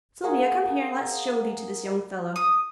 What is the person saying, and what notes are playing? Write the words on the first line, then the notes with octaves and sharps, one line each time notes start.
Sylvia, come here, an let's show thee to this young fellow!'
A#3 G#4 F#5
D#6